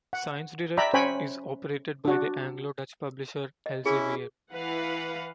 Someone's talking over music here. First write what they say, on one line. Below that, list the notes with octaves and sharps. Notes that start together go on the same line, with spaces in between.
ScienceDirect is operated by the Anglo-Dutch publisher Elsevier.
F#5
D5 E5 G5 A#5 B5
C#4 C5 C#5 G5 G#5 B5
D4 F#4
D#5
C#4 E4 G#4 E5
E3 B4 F5 F#5